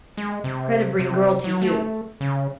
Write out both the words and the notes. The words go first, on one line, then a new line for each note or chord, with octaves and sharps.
Kreta bring girl to you.
G#3
C3
C3
F#3
A3
C#3